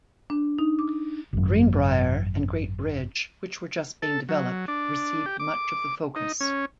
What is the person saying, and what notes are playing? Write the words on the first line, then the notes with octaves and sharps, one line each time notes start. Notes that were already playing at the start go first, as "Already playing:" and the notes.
Greenbrier and Great Bridge, which were just being developed, received much of the focus.
D4
D#4
D6
G#1 F#2
A4
F#3
D4
G4
D6
D#4
C#4